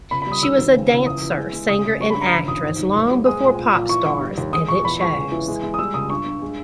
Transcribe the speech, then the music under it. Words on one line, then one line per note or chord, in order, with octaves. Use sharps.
She was a dancer, singer and actress long before Popstars, and it shows.
C#2 B5
B5
G3
D#6
D#3 E6
D#2
C#3
C#2
E3 D#6
E3
G#3
G#3
C#3 D#6
C#3
G3 C#6
B5
G2
A#5
C#3 B5
D#2 D#6
G#2
D#3
D#2
G3
G#3 D#6
A#2
A#2
A#2
E3 C#6
G2
G3
D#2
G#3 D#6
A#2 C#6
E2 B5
G#3 C#6
C#3
E3
G#3
G#3
D#6
G3 E6
C#2 D#6
G2 C#6
G2
G#3